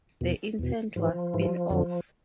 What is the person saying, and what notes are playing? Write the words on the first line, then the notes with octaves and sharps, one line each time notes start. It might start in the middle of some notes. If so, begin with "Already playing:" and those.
The intent was spin off.
E2 B2
E2 B2
G#2 E3 F3
G#2 E3
F2 D3